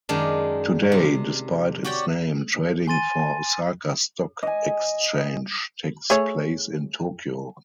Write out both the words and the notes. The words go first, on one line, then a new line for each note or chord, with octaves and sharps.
Today, despite its name, trading for Osaka Stock Exchange takes place in Tokyo.
F#2 D#3 G#3 D4
C3
F#4 G4 C#5 D5 G5
G#5 C6 A6 D#7
D#5 G#5
A3 G#4 C#5